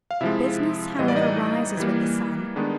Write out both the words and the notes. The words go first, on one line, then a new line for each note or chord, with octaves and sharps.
Business, however, rises with the sun.
F5
C3 F3 G#3 E4 E5
A2 E3 G3 B3 D#5
D5
D#4 D#5
E3 G3 A#3
D#3 G#3 B3 D4